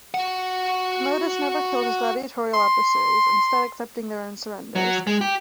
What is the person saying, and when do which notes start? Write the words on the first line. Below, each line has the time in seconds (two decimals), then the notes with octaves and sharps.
Commodus never killed his gladiatorial adversaries, instead accepting their surrenders.
0.14 F#4 F#5
2.54 C6
4.75 F#3
5.07 G#3
5.21 G4